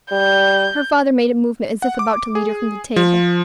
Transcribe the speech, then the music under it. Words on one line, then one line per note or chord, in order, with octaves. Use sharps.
Her father made a movement as if about to lead her from the table.
G3 G6
F#5
D6
G#4
F3